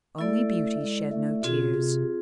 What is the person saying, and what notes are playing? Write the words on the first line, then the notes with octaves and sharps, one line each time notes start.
Only Beauty shed no tears.
A3 E4 A4 D5
G#3
A3
B2 C4 F4 G#4
C3